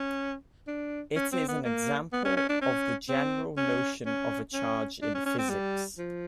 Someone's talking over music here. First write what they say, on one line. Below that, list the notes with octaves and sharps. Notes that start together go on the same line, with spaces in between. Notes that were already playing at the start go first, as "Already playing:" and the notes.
It is an example of the general notion of a charge in physics.
Already playing: C#4
D4
C#4
C4
B3
A#3
B3
C#4
C#4
D4
C#4
C4
C#4
C#4
C#4
D4
C#4
C#4
C4
G3
F3